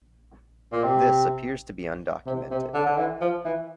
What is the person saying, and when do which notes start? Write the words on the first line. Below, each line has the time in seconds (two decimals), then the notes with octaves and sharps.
This appears to be undocumented.
0.72 A#2
0.84 C3
2.26 C3
2.51 C3
2.74 D3
2.86 D3
2.98 E3
3.21 F3
3.45 E3